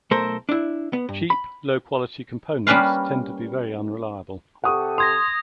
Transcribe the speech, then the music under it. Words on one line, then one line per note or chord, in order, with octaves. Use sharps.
Cheap low quality components tend to be very unreliable.
B1 A3 A4 A#4 C5
D4 E4
B3
G2
B5
G3 A#3 C#4 B4 F5
C3 G4 A4 F#5 C#6 D#6
C6 D#6 G#6 A#6